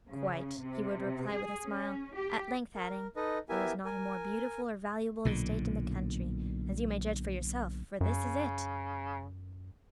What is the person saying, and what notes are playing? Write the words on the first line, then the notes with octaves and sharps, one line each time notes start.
"Quite," he would reply with a smile, at length adding, "There is not a more beautiful or valuable estate in the country; as you may judge for yourself, for this is it."
C#3
C3
G#4
C#4
G4
A#4
D#4 A4 B4 D#5
B3 E4 G4 A#4 E5 G#5
A#4 G#5
B1 A#2 D3
F#2 C#3